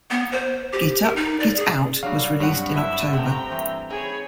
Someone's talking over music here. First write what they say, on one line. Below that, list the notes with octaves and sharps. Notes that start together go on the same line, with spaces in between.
"Git Up, Git Out" was released in October.
B3
C5
G4
A#4
D#4
D5
G#4
F#3 G3 D4 F#4 F5
G2 F#3 C4 F#5
E4 E5 B5
A3 B3 C4 C5 G5 A#5
E3 C4 E5
D#4 G#4 C#5 G5 B5